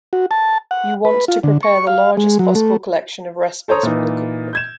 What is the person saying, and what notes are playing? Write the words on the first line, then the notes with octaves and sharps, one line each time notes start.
You want to prepare the largest possible collection of recipes from the cook-book.
F#4
A5
F#5
B4
F4
D3
C#6
F5
G#3
F#3
A3
A4 C5 C#5 A#5 D#6
A#2 E3 D#4
G6 G#6 E7